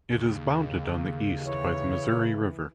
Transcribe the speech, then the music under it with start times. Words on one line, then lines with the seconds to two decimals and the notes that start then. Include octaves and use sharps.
It is bounded on the east by the Missouri River.
0.11 D#2 C#3
1.45 E3 C#5